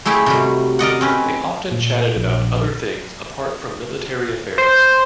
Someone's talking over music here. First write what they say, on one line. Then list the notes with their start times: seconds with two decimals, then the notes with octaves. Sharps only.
They often chatted about other things apart from military affairs.
0.05 G#3 A3 E4 G4 G#4
0.26 C3 F#3 G3
0.79 A#4 D5 D#5 F#5
1.01 C4 C#4 B4
1.71 A#2
2.16 A#1
4.58 C5